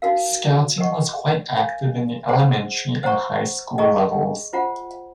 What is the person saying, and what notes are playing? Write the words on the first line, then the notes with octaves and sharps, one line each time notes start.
Scouting was quite active in the elementary and high school levels.
D#4 F#4 A#4 F5
A#4 D#5 F#5 C#6
A#4 C#5 F5 G#5
G#4 C5 F#5 C6
C5 F#5 A#5 C#6
G#4 D#5 A#5 C#6
F4 C5 F#5 A#5